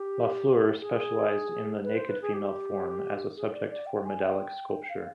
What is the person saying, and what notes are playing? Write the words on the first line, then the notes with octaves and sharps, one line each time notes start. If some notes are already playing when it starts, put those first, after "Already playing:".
Lafleur specialised in the naked female form, as a subject for medallic sculpture.
Already playing: G4
G#4
B4
C5
B4
G#4
G4
G#4
D5
D5
G5
G#5
G5
F5